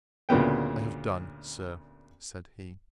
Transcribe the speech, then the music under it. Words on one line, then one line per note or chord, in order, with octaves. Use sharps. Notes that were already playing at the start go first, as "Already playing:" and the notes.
I have done, Sir, said he.
D2 A#2 C#3 B3 G5